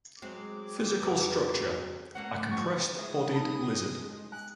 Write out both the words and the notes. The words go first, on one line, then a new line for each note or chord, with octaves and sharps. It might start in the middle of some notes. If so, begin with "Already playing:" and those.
Physical Structure: A compressed bodied lizard.
F#3 G#3 C4 G#4 D6
F2 F#3 B4
A3 A#3 C#4 F#5
F3 C#6
G#3 E5 D#6
D#4 B5
G#5 F#6